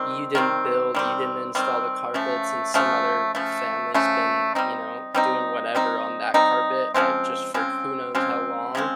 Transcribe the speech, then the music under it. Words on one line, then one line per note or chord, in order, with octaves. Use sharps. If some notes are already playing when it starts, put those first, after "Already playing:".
you didn't build, you didn't install the carpets and some other family's been, you know, doing whatever on that carpet, like, just for who knows how long?
Already playing: D#3 G3 C4
D#3 G3 C4
D#3 G3 C4
D#3 G3 C4
C#3 F3 A3
C#3 F3 A3
C#3 F3 A3
C#3 F3 A3
G3 C4 D#4
G3 C4 D#4
G3 C4 D#4
G3 C4 D#4
C#3 F3 G#3 C4
C#3 F3 G#3 C4
C#3 F3 G#3 C4
C#3 F3 G#3 C4